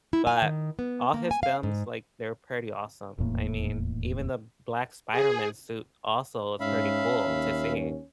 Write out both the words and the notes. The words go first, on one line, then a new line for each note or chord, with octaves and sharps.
But all his films, like, they're pretty awesome. I mean, even the black Spider-Man suit also is pretty cool to see.
E4
G#5
D#3
B3
A#3
G#5
F5
G#2
D#1 E2 A2 A#3
G#4
G#2 C#4 E5 F5 B5
D#2